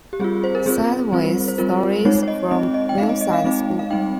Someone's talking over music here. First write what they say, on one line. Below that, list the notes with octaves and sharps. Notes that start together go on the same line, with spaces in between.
Sideways Stories from Wayside School.
G4
G3 C4 F4 G#4
C5
A#4
G3 C4 F4 G#4
G3 C4 F4
C5
G3 C4 F4 A#4
G#3 C4 D#4 C#5
C#5
D#5
G#3 C4 D#4 D#5
D#5
G5
G#3 C4 D#4 F5
D#5
D#5
F5
G#3 C4 D#4
F5
G3 C4 D#4 G5